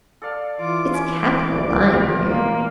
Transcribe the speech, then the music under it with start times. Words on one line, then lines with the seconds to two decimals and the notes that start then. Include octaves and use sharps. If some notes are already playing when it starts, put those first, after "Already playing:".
"It's capital lying here."
0.22 A4 D5 F5
0.59 E3 F4 D6
0.94 C#4 D6
1.57 D5
1.92 F4 G4 A#4
2.27 A#3